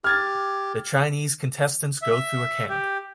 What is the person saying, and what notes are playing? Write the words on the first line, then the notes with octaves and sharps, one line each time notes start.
The Chinese contestants go through a camp.
G4 F6 G#6 A6
E5
G4